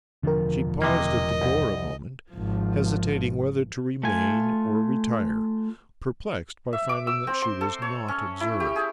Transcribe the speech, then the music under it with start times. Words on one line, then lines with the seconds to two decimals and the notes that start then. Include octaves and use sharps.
She paused at the door a moment, hesitating whether to remain or retire; perplexed by finding that she was not observed.
0.23 E1 D3 F3 A#4
0.82 C3 A#3 D#5
1.41 C2
2.32 G#1 F3
4.03 A3 F4 G#5
6.73 E5
6.89 D6
7.07 E6
7.27 C4
7.42 C6
7.61 A4
7.82 C#5
8.08 C#4
8.40 E4
8.60 G4
8.76 G#4